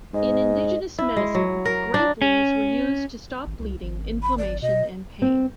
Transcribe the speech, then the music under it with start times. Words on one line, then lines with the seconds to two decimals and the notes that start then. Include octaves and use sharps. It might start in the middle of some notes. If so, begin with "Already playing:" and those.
In indigenous medicine, grape leaves were used to stop bleeding, inflammation, and pain.
0.14 G#2 D#5
0.99 E4
1.17 G#3
1.35 F#3
1.65 A#4
1.94 D4
2.22 C#4
3.47 G#1
3.60 C2
3.83 G#1
4.23 B5
4.38 D5
4.62 B2 D#5
5.22 C4